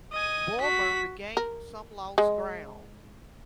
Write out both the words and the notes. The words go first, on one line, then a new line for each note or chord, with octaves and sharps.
Bulmer regained some lost ground.
D#5 G#5
F#4 B6
A#4
G#3